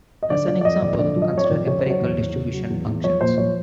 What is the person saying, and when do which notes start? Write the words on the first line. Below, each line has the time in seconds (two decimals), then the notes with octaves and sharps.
As an example, consider empirical distribution functions.
0.23 D#5
0.30 D3 D5
0.48 F3 D5
0.61 D5
0.65 F2 D#5
0.82 F2 D5
0.99 D3 D5
1.16 F3
1.22 D#5
1.33 F2 C#5
1.44 D5
1.51 F2
1.67 C#3 C#5
1.79 C5
1.85 F#3 C#5
2.01 E2
2.19 E2
2.36 C#3
2.53 F#3
2.70 E2
2.86 E2
3.04 F3 C#5
3.21 A#2 C5
3.38 F3 C#5